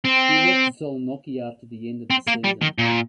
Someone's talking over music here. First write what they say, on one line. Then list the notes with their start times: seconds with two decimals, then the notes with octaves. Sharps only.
He left Szolnoki after the end of the season.
0.05 C4
2.10 C4
2.27 A#3
2.44 G3
2.62 D#3
2.78 A#2